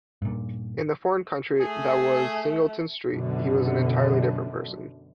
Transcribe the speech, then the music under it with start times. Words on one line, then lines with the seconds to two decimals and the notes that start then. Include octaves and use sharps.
In the foreign country that was Singleton Street he was an entirely different person.
0.22 G2 A#2
1.60 A3 G#4 G#5
3.11 F#2 B2 D3